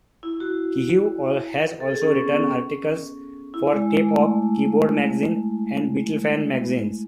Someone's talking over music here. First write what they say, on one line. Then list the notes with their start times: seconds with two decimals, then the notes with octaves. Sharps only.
Kehew has also written articles for "Tape Op", "Keyboard Magazine", and "Beatlefan" magazines.
0.23 E4
0.40 F#4
1.80 A4
1.88 G#4
2.02 C#4
2.16 B3
2.29 C#4
3.54 E4
3.72 G#3
3.90 G#3
4.09 A3